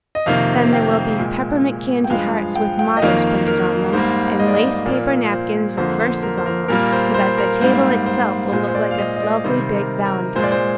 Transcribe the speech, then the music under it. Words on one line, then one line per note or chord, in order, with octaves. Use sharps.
Then there will be peppermint candy hearts with mottoes printed on them, and lace-paper napkins with verses on them, so that the table itself will look like a lovely big valentine.
D#5
F2 C3 D#3 A#3 F5
G5
A#2 G#3
G5
G2 F3 G#3 F5
G5
G5
D#5
F2 D#3 A#3 F5
A#4
G#2 G3 A#3 C5
D#5
D5
D#5
A#2 F3 A#3 D5
C5
F2 D3 F3 A#3 C5
C5
A#4
C5
A#4
A#2 G3 A#3 A#4
C5
C5
A#4
G#2 G3 A#3 C5
C5
A#2 G#3 C5
C5
D5
F5
D#5
D#5
D5
C3 D#3 G3 C5
A#4
A#4
A#2 G#3 C5
D5
C5